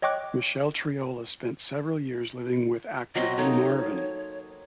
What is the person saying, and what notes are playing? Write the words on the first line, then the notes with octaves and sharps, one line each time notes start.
Michelle Triola spent several years living with actor Lee Marvin.
C#5 D#5 G5 C#6 D6 F#6
F#3 C4 F#4 D#5
A#3 D#4 A4 C#5